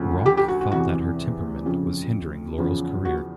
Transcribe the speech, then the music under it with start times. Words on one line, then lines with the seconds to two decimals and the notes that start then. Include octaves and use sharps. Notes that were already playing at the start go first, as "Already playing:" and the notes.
Rock thought that her temperament was hindering Laurel's career.
Already playing: D2 C#3 F3
0.26 G4
0.37 G4
0.48 F#4
0.61 F#4
0.72 E2 C3 E3 F#4
1.66 F2 C#3 F3
2.59 E2 C#3 F3
3.05 F#4